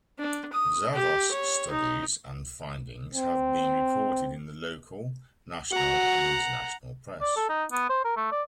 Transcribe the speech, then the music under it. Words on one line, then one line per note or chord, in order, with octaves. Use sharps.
Zavos' studies and findings have been reported in the local, national and international press.
D4
D#6
G4
C#5
D#4
C4
F#4 F#5 A#5
D5
A4
D#4
B3
C5
A#4
A3
D5